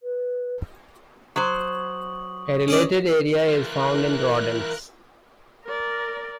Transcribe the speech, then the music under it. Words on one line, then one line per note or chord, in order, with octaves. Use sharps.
A related area is found in rodents.
B4
F#3 C5 C#6 D#6 F#7
C#4 G#4 D5
E3 F4 A#4 F#6
A#4 D5